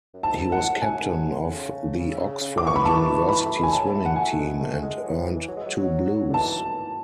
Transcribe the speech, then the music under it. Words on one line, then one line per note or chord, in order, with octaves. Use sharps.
He was Captain of the Oxford University Swimming Team and earned two Blues.
F#2
G#2 A5
F#2 F#5
F#2 G#5
G#2
A2
C#3
C#3
C#3
C#3
D6
E3 C#6
B5
A5
B5
A3
G#3 G#5
F#3 A5
A3
F#5
A3 G#5
G#3
A3
G#3
F#3
E3
F#3
G#3
F#3
F#3
F#3
D3
E3 A5